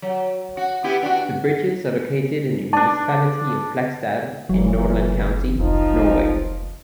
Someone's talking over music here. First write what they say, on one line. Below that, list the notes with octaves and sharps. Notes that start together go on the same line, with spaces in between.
The bridges are located in the municipality of Flakstad in Nordland county, Norway.
F#3
F#4
B3 E4 G4
D4 F#4
D4 D5 A5
F#1 F#2 A#2 E3 F#3
F1 B1 F3 C4 D#4